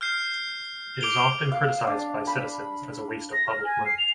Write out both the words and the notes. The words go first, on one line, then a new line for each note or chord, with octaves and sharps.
It is often criticised by citizens as a waste of public money.
F6 G6 C7
D6 D7 F7 G7
F5
D4
B5
A#6
F6
G#5
C7
F7